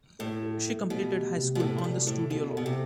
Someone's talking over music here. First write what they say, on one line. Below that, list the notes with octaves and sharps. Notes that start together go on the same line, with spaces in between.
She completed high school on the studio lot.
A2 A4
A4
A3
B2 G4
G4
C3
B2
A2 A4
F#2
G2 F#4
A2 A4
B2 A4
B2 A4
C3